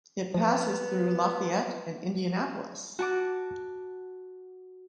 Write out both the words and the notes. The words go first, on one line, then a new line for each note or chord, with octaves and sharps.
It passes through Lafayette and Indianapolis.
F3 B3
F#4 A5 D6